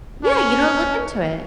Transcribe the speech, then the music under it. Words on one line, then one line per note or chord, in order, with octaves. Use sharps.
Yeah, you know, look into it.
C#4